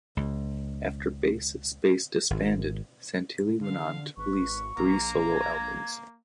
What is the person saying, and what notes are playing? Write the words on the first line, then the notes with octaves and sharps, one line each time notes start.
After Bass is Base disbanded, Santilli went on to a release three solo albums.
C#2
G#1
D3 F5
G#1 B4 C#6
A#1 A#3 A#5
G#6